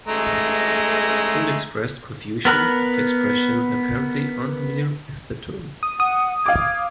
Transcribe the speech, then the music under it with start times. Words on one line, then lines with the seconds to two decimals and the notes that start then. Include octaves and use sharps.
Fuld expressed confusion at the expression, apparently unfamiliar with the term.
0.08 G#3 A3 A#5
2.45 B3 A#4 B5 F#6
5.83 D#6
6.00 F#5 D#6
6.46 F5 D6 G#6